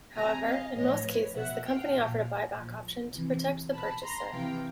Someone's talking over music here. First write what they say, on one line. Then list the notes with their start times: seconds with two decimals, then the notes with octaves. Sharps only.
However, in most cases the company offered a buy-back option to protect the purchaser.
0.16 C3 F3 G#5 A#5
0.46 D#5 F5
0.75 A2 F3 C#5 D#5
1.05 B4 C#5
1.35 B2 E5 F#5
1.64 F5 G5
1.94 A#2 F3
2.55 A#2 F3
3.13 C3 E3
3.73 B2 A5 B5
4.02 A#5 C6
4.32 C3 E3 F5 G5